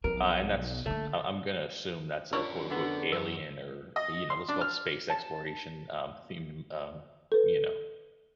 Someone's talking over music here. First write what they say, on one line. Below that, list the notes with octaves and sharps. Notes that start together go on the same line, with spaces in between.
Uh, and that's I I'm gonna assume that's a quote unquote, "alien" or, you know, let's call it space exploration, um, themed, um, you know.
B1 F3 C4 A#4
D3 A3 A#3
C#4 D4 F4 A#4 C#5 D5 C#6
D3 B3
F#2 A#4
D#5
C6
D4
F6
A5
A4 B4